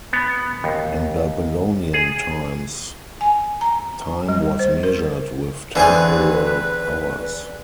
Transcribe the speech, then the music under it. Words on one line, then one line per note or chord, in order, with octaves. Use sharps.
In Babylonian times, time was measured with temporal hours.
B3
D#2
G#4
G#5
A#5
G3
C5
A#4
E2 D3 C4 G#4 B4 G#5